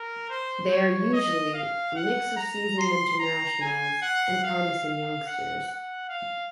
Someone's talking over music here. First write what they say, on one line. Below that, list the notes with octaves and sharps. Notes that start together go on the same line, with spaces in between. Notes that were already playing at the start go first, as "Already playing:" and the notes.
They are usually, a mix of seasoned internationals, and promising youngsters.
Already playing: A#4
C5
C#5
D#5
F5
F#5
A#5
C6
A#5
G#5
F#5
F5
F5
F#5
F#5
F5